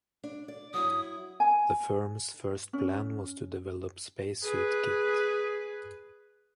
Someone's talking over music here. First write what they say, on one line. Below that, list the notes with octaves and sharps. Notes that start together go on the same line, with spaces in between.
The firm's first plan was to develop spacesuit kit.
D4
D5
F#3 E4 D#6
G#5
C#4
G#4 B4